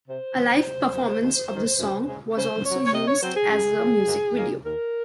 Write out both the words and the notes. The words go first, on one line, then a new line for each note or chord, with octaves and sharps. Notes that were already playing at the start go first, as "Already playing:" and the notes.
A live performance of the song was also used as a music video.
C3 C5
F3 C4
C3
F#3 A#3
D#2
D#3 F#3
F#2
C#3 G#3
C#3 C5
F#3 C#4 C#5
C#5
C3 D#5
C#5
F#3 C4 C5
G#4
F#2
F3 C4
F#2
D#3 A#3 C#4
D#2 A#4